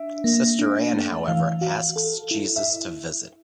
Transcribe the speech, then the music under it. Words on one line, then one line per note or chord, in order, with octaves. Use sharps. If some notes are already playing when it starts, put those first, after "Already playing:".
Sister Anne, however, asks Jesus to visit.
Already playing: D4 E5
A#3
D4
A3
E3 F5
F#4 F5
A4
E4
E5